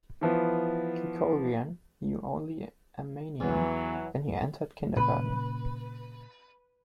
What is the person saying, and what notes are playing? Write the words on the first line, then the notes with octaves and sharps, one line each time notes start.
Krikorian knew only Armenian when he entered kindergarten.
E3 F3 B3
E2 E3 F#3
A#2 C#3 B4